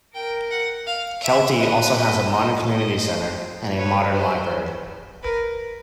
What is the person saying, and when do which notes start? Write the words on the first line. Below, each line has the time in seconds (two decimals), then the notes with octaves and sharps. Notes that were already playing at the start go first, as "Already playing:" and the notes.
Kelty also has a modern community centre, and a modern library.
0.14 A#4 G5
0.51 F#5
0.86 F5
1.23 E5
1.59 B4 D#5
1.96 D#5
2.32 D#5
2.69 D#5
3.05 C5
3.77 B4 C#5
4.14 C5
5.23 A#4 B4